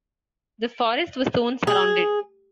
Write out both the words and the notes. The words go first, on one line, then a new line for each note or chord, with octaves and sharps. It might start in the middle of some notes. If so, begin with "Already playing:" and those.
The forest was soon surrounded.
G#4